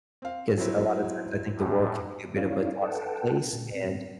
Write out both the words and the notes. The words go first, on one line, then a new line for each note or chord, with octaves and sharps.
'cause a lot of times I think the world can be a bit of a toxic place and,
C4 F5
F#3 C4 E4
F#2 A2
C#4 D#4 E4 C#5 D5 F5
A4 B4 F#5 G5 A5
A#2
C4